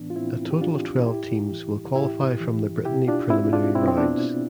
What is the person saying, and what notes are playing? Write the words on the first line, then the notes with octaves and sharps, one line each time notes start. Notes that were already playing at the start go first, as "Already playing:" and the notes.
A total of twelve teams will qualify from the Brittany preliminary rounds.
Already playing: A2 E3 B3 D4
F4
A2 C4 E4
G4
E3 D4 F4
A2 E4 G4
E3
A2 E4 G4
E3
B2 E4 G4
D4 F4
C4 E4
D4 F4
B2 C4 E4
C4
B3 D4